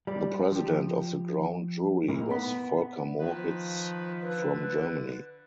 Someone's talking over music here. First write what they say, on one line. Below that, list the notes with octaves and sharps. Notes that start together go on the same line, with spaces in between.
The president of the Ground Jury was Volker Moritz from Germany.
G3 D5
F3 G4
A#2 A3 A#3 D#4 E4
B3 B5
D#3 F3 B4
D3 B4